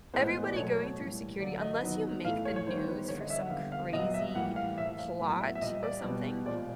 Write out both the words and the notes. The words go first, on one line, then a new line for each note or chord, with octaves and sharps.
everybody going through security, unless you make the news for some crazy plot or something,
A2 E3 G#3 B3 C5
D5
B2 F#3 A3 C#5
A2 E3 G3 A#3
D3 F#3 A#3 D5
D#5
D#3 F#3 B3
A2 E3 A3 F5
C#5
C#5
D#3 G3 B3 C5
C5
B4
C5
D3 G3 A#3 C#5
D#5
E5
F#5
D3 G3 B3 F5
F5
A#2 F#3 B3 D#5
E5
A2 E3 G3 A#3 F#5
F5
A2 F3 A#3 E5
F5
A2 F#3 B3
E5
E5
A#2 G3 A#3 D#5
D5
B2 G3 B3
A#2 F3 G#3 D5